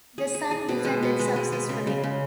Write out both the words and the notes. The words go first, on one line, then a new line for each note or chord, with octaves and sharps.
The son defended successfully.
G#4
G#4
G#4
B2
G#3
B2
G#3
G#3
G#3
C#3
C#3
C#3